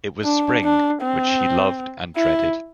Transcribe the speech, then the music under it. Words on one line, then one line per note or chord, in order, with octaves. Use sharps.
It was spring, which she loved and dreaded.
D4
D4
C4
E4